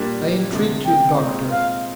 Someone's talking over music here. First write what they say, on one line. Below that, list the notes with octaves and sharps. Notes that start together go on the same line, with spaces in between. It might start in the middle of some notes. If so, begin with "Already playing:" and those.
"I entreat you, doctor!"
Already playing: A#2 G3 A#3 D4
D2 C3 D#3 G#3 D4
G5
A#2 G#3 C4 D#4
F5